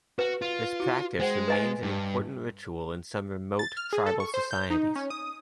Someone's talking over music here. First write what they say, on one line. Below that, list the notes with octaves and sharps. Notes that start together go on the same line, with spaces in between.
This practice remains an important ritual in some remote, tribal societies.
F#4 B4
F4
E4 F#4
G#3 C5 F#5 G5
B4 D#5 G#5
G2
A6
F6
G#4
A4
C#6
C5
G6
D#4
C#4
D#6